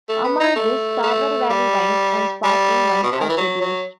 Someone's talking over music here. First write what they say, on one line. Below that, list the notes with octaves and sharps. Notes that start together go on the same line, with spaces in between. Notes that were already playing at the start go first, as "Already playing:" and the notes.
Among this Tauber valley wines and sparkling wines are produced.
A3
B3
D#4
A3
A3
G3
G3
B2
C3
D#3
E3
F#3
F#3